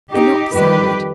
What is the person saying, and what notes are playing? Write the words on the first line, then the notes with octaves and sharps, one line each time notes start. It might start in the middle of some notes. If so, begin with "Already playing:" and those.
A knock sounded.
D#4 G4
F2 D#3 G3 G4 B4